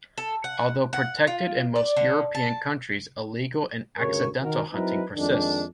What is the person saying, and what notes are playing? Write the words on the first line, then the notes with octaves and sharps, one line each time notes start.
Although protected in most European countries illegal and accidental hunting persists.
A4
F#5
F#5
F4
D5
D3
A5
D2 G2 C#3 A#4 C#5
D#3 F#4 A#4
F#3 C4 D#4 E4 A#4 B4
F2 D#3 G#3 D4